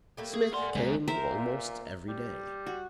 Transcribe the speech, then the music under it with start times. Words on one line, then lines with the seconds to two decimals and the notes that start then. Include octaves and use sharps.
Smith came almost every day.
0.17 G3 A3 A#3
0.34 G#4
0.53 A#4 D5 F#5 G#5 C6
0.75 C#2 F#2 G#3 C4
1.08 A#4 C5 E5
1.29 A#2
2.08 G3
2.66 F#4